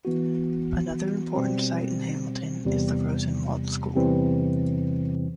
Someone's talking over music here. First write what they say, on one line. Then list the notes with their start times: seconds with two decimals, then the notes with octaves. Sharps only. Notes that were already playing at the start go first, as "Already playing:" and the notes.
Another important site in Hamilton is the Rosenwald School.
0.05 E3 B3 F#4
1.35 B2 G3 C4
2.65 E2 C3 G3
3.95 E2 C3 E3 G3 C4